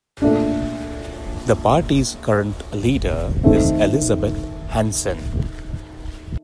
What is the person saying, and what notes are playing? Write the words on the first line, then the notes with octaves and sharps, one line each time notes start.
The party's current leader is Elizabeth Hanson.
A#2 A3 D4
D#3 A3 C4